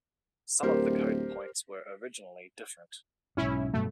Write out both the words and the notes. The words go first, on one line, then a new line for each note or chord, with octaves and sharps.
Some of the code points were originally different.
D1 G4 A#4 C5
B1 G#2 C#4 E4
G2 B2 F#3 A3